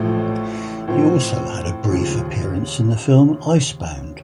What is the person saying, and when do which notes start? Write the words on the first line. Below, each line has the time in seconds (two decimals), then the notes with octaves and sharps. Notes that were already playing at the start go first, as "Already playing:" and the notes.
He also had a brief appearance in the film "Ice Bound".
Already playing: A1 A2 F3 A3
0.87 A2 F3 C4
1.90 D#2 C#3 F3